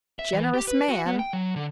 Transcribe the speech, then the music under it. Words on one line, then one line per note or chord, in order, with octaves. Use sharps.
"Generous man!"
E5
E3
G4
B4
F#4
B3
G5
F#3
D3